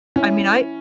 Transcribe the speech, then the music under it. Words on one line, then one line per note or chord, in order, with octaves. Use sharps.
I mean, I
C#4 E4